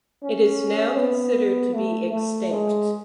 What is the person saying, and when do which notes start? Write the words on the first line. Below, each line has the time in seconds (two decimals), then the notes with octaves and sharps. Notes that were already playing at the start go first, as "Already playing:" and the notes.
It is now considered to be extinct.
0.23 C#4
0.99 B3
1.74 A3
2.13 A3
2.51 G#3